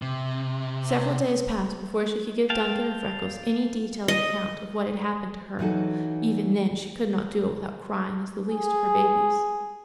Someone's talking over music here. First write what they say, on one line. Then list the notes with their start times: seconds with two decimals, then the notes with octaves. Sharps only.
Several days passed before she could give Duncan and Freckles any detailed account of what had happened to her, even then she could not do it without crying as the least of her babies.
0.02 C3
2.50 F5 G5 A5
4.08 D#5
5.59 E3 F#3 D#4 F#4 A4
8.48 G#4